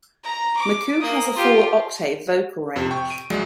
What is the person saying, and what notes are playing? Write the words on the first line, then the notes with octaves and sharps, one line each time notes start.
McCoo has a four-octave vocal range.
A#5
D6
A#3 D#6
F4 G4
F2 C3
G5 C#6
D7 D#7
A#1 F#3 G#3 D5